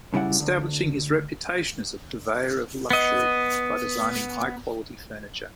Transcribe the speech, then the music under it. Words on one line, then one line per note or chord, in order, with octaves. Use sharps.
Establishing his reputation as a purveyor of luxury by designing high-quality furniture.
B1 C#3 G3 E4 F#5
D2
B3 D#5